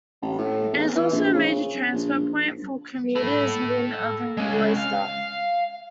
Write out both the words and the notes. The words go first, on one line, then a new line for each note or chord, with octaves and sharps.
It is also a major transfer point for commuters within urban Gloucester.
A1
A2
E2
E3
A#1
C#3
A#1
A4 B5
G#3 C#4
F5